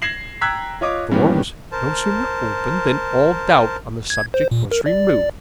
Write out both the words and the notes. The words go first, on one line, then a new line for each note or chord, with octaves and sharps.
The door was no sooner opened than all doubt on the subject was removed.
G#6 A#6 C7 E7 F#7
G5 A#5 E6 F#6 G#6 B6
F4 C#5 D#5 D6
G2 A#2 D#3 E3 B3 C#4
A#4 C5 A5
G#6
C5
A#2
A#4
D5